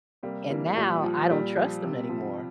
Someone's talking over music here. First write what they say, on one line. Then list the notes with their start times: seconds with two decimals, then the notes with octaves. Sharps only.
and now I don't trust them anymore."
0.23 C3 G3 A#3
0.49 E3 G3 A#3
0.77 A#2 G3
1.04 F3
1.30 A#2 G3
1.56 F3
1.84 C3
2.09 F3